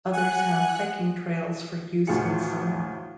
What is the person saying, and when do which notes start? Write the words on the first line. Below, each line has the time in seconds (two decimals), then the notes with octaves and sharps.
Others have hiking trails for use in summer.
0.13 F#5 G#5 F#6
2.07 D2 A2 F4 G#4 C#7